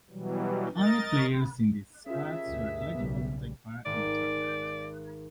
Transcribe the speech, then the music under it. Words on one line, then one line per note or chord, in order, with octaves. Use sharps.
Only players in these squads were eligible to take part in the tournament.
B2 E3 F#3 G3
A#4 D#5 A6
D#2 C#4 F4 G#4 E5
D2 G2
B1 C#3 G3 B3
G#1 D5